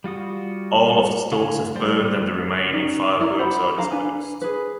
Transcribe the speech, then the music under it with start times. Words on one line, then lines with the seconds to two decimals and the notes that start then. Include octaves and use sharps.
All of the stores have burned and the remaining fireworks are disposed.
0.04 G3 F4 F#4 D#6
1.32 D3 F5 F#5 G#5
1.76 G3 C5 D5 C6
2.73 C#4 D#4 D5
3.20 E4 D5 A#5
3.38 F4 C5 F#5 B5
3.78 D4 A4 F5 A#5
3.91 D4 B4 G#5
4.42 G#4 B4